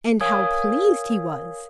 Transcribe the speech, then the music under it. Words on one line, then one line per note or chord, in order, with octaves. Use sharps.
And how pleased he was!
A#4 C#5 F5 G#5 D#6 G#6